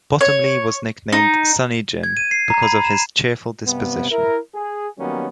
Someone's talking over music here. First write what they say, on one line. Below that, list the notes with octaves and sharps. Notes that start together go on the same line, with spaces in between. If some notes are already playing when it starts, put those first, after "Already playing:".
Bottomley was nicknamed "Sunny Jim" because of his cheerful disposition.
C#5
D#4
G#6
D#7
C7
A#5
B5
E7
G2 C3 B3
E4 A#4
G#4
D#3 F#3 G3 A#3 B3 C#4